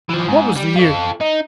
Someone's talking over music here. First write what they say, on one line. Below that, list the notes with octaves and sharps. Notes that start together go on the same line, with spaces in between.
What was the use!
E3 F3
G#2
G3
F4 A4
D#4